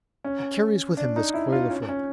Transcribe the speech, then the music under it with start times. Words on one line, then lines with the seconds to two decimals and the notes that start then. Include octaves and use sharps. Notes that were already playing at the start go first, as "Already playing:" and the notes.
He carries with him this coil of rope.
0.24 C#4
0.97 D4
1.16 D#4
1.34 E4
1.52 F4
1.71 C#4
1.89 C#4